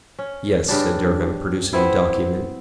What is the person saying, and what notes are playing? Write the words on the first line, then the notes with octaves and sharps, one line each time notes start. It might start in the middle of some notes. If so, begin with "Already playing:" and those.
"Yes," said Durham, producing the document.
C#4
G2 C#3 G3 D4
B3 C4 E4